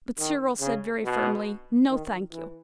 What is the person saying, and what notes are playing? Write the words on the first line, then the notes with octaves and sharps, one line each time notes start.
But Cyril said very firmly, 'No, thank you.
D#3
C#3
B2
D#3
E3